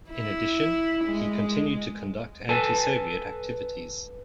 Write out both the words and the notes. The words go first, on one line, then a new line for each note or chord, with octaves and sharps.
In addition, he continued to conduct anti-Soviet activities.
E4
G#3
A4 B4 G#5 A5